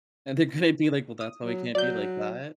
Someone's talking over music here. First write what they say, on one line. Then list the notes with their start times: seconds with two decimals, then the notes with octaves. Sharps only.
And they're gonna be like, "Well, that's why we can't be like that."
1.21 D#6
1.45 F#3
1.75 F#3 D5 G6